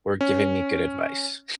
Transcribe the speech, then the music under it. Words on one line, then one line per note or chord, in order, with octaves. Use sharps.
were giving me good advice,
C#4